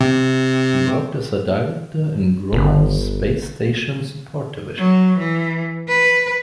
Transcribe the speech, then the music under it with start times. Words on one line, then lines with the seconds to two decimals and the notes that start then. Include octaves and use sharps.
He worked as a Director in Grumman's Space Station Support Division.
0.01 C3
2.53 G1
4.78 F#3
5.18 E3
5.88 B4